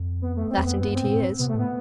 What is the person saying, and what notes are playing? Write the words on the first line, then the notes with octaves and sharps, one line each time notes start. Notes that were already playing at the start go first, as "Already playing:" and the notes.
"That indeed he is."
Already playing: F2
B3
A3
C4
E2
F2 B3
G2 B3
C4
B2
A2
C3 B3
A3
A2
B3